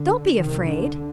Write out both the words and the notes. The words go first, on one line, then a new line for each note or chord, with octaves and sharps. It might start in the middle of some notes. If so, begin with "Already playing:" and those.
Don't be afraid.
Already playing: D3
C2 C3 D#3
D3